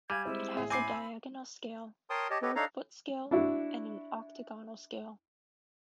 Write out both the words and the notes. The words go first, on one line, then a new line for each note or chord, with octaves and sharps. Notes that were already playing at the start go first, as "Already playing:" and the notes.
It has a diagonal scale, board foot scale and an octagonal scale.
G3 F5 G#5 G#6 D#7
G#3 C4 E4
A1 G#4 E5
C4 G#5 B5 D6 C7
E6
A#4 C#5 G5 A5 C6 D#6
G4 C#5 D#5 A5
G4 A4 B4 C#5 D#5
D4 D#4 A4 C#5 F5 A#5
D4 E4 F#4